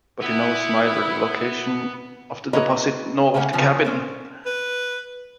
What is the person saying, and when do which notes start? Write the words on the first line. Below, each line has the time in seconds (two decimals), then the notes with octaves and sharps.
But he knows neither the location of the deposit nor of the cabin.
0.22 B3 E4
2.53 A#3 E4 F#4 B4 C#5 D#5
3.34 C#3 A3 A#3 C#4 F#5
3.53 C#3 F3 C4
3.85 C#4 C5
4.46 B4